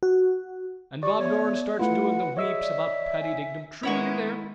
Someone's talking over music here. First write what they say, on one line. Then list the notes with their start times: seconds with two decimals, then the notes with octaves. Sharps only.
And Bob Doran starts doing the weeps about Paddy Dignam, true as you're there.
0.03 F#4
1.03 G4 D5 C#6
1.19 B3 C#5 E5
1.79 A3 E4 F4 B4 F#5 B5
2.37 G#4 C#5 D#5 E5 E6
2.59 D5
3.20 G#5
3.83 D#3 G#3 B3 E4 C#5 F#5 C#6